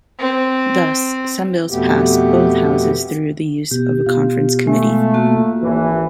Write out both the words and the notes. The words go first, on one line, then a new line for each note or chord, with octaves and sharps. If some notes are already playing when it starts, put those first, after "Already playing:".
Thus, some bills pass both Houses through the use of a conference committee.
C4
F2 B2 A3 B3 G4
B2 G4
B2 F4
G#3 A3
A#3 F#4
G#1 E3